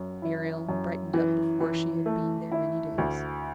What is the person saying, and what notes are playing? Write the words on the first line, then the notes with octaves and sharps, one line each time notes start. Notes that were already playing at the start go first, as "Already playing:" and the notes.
Muriel brightened up before she had been there many days.
Already playing: F#2
E4
F#2
E3
E3
A3
E4
D2